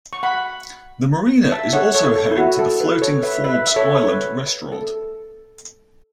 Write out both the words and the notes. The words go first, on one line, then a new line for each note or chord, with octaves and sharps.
The marina is also home to the floating Forbes Island restaurant.
C#6
F#5 B5
E5 A5
C#5 F#5
A4 C#5
A4
E4
F#4
A4
B4
A4 C#5
B4 E5
B4 E5
E5
A4 C#5
C#5
B4
A4